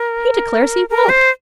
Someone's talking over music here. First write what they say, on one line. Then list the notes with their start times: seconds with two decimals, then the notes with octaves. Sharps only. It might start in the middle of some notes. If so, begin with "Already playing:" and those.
He declares he won't.
Already playing: A#4
0.89 A#4
1.09 C5